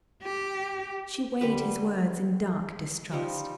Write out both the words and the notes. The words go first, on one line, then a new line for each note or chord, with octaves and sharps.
She weighed his words in dark distrust.
G4
D3 G3 B4
F3 G3 D#4